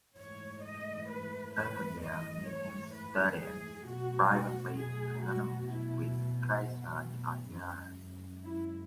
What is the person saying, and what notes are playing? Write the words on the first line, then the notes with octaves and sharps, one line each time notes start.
Earlier he had studied privately piano with Kaisa Arjava.
G#2 E3 A3 C#5
D#5
B4
B4
D#5
C#5
B4
G#4
B2 F#3 A3 F#4
F#4
G#4
F#4
E4
F#2 C#3 G#3
E4